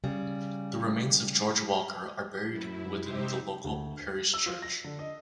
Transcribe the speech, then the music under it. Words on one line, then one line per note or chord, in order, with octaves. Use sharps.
The remains of George Walker are buried within the local parish church.
C#3 G3
F#2 E4
C3 D#4 G4 C5 E5
D2
E6
F4
A#6
D3
D#5